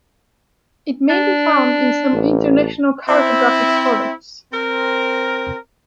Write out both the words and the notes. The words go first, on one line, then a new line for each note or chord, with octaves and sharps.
It may be found in some international cartographic products.
D4
A1
C4 E4
C4 A#4